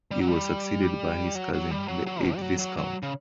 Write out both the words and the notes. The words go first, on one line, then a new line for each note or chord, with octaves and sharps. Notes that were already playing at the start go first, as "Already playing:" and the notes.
He was succeeded by his cousin, the eighth Viscount.
G3
F#3
G3
F#3
F#3
G3
F#3
F#3
B2
G3
F#3
F#3
F#3
C#3